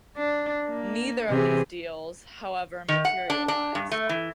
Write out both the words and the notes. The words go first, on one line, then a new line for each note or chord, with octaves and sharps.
Neither of these deals, however, materialized.
D4
A#3
C3 E3 G#4
D#3
F#5
D4
D4
G2
A3
E3